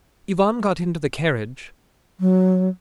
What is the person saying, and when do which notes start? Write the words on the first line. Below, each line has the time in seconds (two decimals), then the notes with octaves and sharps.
Ivan got into the carriage.
2.20 F#3